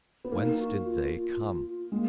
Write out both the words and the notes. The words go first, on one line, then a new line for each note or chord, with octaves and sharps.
Whence did They come?
B3
A#3 D#4
F#4
F4
F4
G#3 A#3